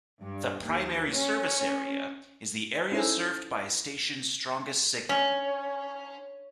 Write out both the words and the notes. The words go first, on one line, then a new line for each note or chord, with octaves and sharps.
The "primary service area" is the area served by a station's strongest signal.
G2
D#2
C#4
C#4 D#4 E4 A4 C5
C#4